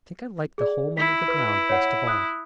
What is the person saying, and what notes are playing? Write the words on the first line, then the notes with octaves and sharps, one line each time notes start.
"I think I liked the home under the ground best of all."
G#4 D5
E4 B6
B4
C#5 F#5
D#6 F#6